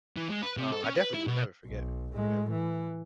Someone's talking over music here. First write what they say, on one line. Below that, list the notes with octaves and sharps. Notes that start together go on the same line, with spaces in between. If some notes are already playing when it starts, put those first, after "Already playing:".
uh, I definitely will never forget her, ever,
E3
G#3
B4
C3
A4
C#4
B4
E4
B2
B1
A2 G#3
E3